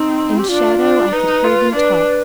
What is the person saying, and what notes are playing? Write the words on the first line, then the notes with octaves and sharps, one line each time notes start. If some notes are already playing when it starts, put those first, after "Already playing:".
In shadow, I could hear them talk.
Already playing: C4 D#4
G4
D4 F4
D4
D#4 B4
F4
D4 B4